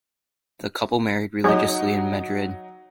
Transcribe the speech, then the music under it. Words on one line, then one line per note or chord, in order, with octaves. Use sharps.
The couple married religiously in Madrid.
F#3 D#4 G#4 C#5 D#5